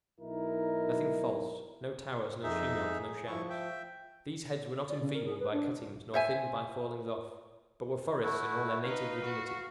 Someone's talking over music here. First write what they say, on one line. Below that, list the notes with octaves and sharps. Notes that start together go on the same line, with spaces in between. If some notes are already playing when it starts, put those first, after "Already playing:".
Nothing false; no towers, no chignons, no shams! These head were not enfeebled by cuttings nor thinned by fallings-off, but were forests in all their native virginity!
B1 D#4 E4 A#4
F2 D#4 G#4 E5
F3 E4 C#6
E5 G5
D5
C#3
A#4
G#4
B4
D4
C5 E5 G#5
A3 E4 F#4
D#4 B4 F5
F#4